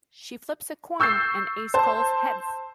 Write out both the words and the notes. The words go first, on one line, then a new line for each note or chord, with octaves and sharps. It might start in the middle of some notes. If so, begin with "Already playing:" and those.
She flips a coin, and Ace calls "heads".
C#6 E6 G6 A6 C7
C5 A5